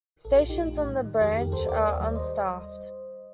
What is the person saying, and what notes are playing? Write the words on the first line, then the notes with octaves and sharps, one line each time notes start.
Stations on the branch are unstaffed.
A#1 A4
G4
A#1 F4
D#4 G4
A2
A2
G3
D#3
F2 G4 A#4
F2 G4 A#4
D#2 A4 C5
D#2 A#4 D5
D#2
G3
D5
C5 D#5